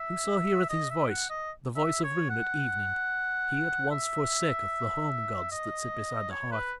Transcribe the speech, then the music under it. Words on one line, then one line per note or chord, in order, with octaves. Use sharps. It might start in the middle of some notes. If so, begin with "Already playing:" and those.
Whoso heareth his voice, the voice of Roon at evening, he at once forsaketh the home gods that sit beside the hearth.
Already playing: E5
D#5
E5
F#5
D#5
E5
C#5
F#5
E5
D#5
C#5
B4